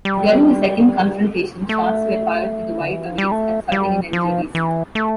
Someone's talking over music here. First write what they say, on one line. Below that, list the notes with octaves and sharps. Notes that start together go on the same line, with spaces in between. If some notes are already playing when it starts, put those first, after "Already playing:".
During the second confrontation, shots were fired at the Wide Awakes, resulting in injuries.
G3
A3
D3
E3
F3
G3
A3
G3
F3
E3
A3